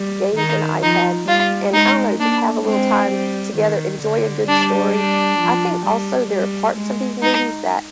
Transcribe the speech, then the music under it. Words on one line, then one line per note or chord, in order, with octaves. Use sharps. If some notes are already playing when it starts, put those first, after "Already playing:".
games and iPads, and I don't know, just have a little time together, enjoy a good story. I think also there are parts of these movies that
Already playing: G3
D#3 D#4
F3 D#4
G3 F4
G#3 D#4
A#3 D4
G#3 C4
G3
D#3
D3
G3 D4
D4
F3
G3
G3
G#3
D#4